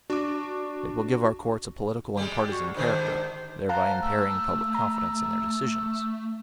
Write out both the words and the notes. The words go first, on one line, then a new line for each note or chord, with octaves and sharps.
It will give our courts a political and partisan character, thereby impairing public confidence in their decisions.
D4 F#4 D6
G3 G#3
F#4
G#2 D3 D#3 C5
C5 F5 F#5 A5 A#5
A3 E6
A#5